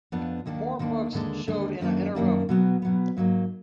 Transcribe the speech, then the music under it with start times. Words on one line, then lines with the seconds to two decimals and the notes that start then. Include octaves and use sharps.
More books showed in an inner room.
0.12 F2 F3 B3 D4
0.46 D#2 D#3 A#3 D4
0.79 D#2 D#3 A#3 D4
1.13 D#2 D3 G#3 D4
1.47 D#2 D3 G#3 D4
1.81 F#2 D#3 A#3 D4
2.15 F#2 D#3 A#3 D4
2.49 B2 F#3 B3
2.82 B2 F#3 B3
3.17 G#2 F#3 A#3 D#4